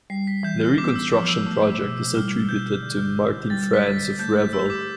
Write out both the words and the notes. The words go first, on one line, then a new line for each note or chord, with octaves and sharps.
The reconstruction project is attributed to Martin Franz of Reval.
G3 C7
B6
E3 G6
F6
B3 D6
E6
F3 D6
E6
A3
B2
G3 F6
B2 G6
D3
E4
G3 A6
B6
D3 A6
B6
A3 G6
G6
G4 E6
D6